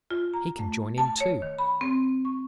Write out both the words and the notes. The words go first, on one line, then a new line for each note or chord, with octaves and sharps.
He can join in too.
F4
A#5
A3
A5
C#5
D#3
B5
C4
C#6